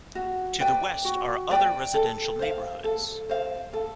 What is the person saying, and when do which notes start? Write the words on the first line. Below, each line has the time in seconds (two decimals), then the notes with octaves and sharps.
To the west are other residential neighborhoods.
0.15 F#4
0.60 B4 D5 G5
1.05 F#4
1.50 B4 D5 G5
1.94 A4
2.39 C5 F5
2.84 A4
3.29 C5 F5
3.73 A4